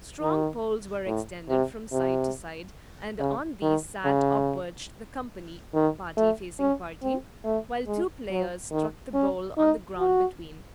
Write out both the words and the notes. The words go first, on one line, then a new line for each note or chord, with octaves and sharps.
Strong poles were extended from side to side, and on these sat or perched the company, party facing party, while two players struck the bowl on the ground between.
D#3
A2
C3
C3
C#3
D#3
C#3
D#3
A3
C#4
C4
A3
G#3
F#3
D#3
C#4
D#4
F#4